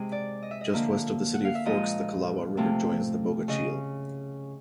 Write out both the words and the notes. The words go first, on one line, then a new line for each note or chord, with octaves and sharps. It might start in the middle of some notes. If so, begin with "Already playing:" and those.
Just west of the city of Forks the Calawah River joins the Bogachiel.
Already playing: C3 G#3 G#4
D5
D#5
E5
D#5
D3 F3 A#3 E5
F#5
F5
E5
A#2 F3 G#3 D#5
C3 F3 A3 C4
C#3 D#5